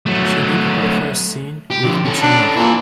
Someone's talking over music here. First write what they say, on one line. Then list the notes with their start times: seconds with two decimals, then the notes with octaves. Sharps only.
She did her first scene with Peter North.
0.06 F#3 A3
1.70 G4
1.84 D3 F3
2.05 C#4 A4
2.22 D4
2.56 A#2 E4 B4